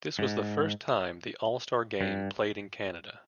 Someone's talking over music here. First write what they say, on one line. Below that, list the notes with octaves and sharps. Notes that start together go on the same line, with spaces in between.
This was the first time the All-Star game played in Canada.
G#2
G2